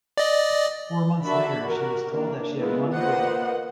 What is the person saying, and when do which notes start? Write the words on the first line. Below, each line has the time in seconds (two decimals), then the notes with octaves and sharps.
Four months later, she was told that she had won the role.
0.17 D5 D#5
1.24 D4 F#4 A#4 E5 A5 B5
1.62 F#4 G4 A#4
2.11 E3 A#3 D4
2.60 E3 G#3 B3 E4 F4
2.94 A#3 F4 B4 C5 D#5 F#5